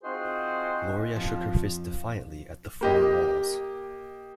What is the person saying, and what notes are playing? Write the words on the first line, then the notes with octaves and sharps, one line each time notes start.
Gloria shook her fist defiantly at the four walls.
C4 D#4 F4 F#4 G#4 C5
F2 F3
A#3 G4 D#5